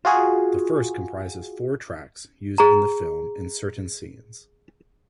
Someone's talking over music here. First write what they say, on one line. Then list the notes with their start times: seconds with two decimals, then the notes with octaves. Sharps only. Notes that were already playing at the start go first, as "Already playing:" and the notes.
The first comprises four tracks used in the film in certain scenes.
0.05 F4 F#4 G#4
2.58 G#4 A#5